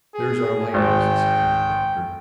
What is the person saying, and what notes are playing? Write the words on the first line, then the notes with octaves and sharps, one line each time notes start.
"There's our lighthouse!" exclaimed the Doctor.
G#4
G#1 G5